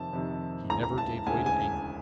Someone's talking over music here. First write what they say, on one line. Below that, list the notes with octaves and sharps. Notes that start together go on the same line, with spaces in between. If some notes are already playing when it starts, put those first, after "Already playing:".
He never gave way to anger.
Already playing: F2 C3 D#3 A5
F2 C3 D#3
E1 D2 C#3 E3 A#5
A#5
A5
E1 D2 C#3 E3 G#5
G#5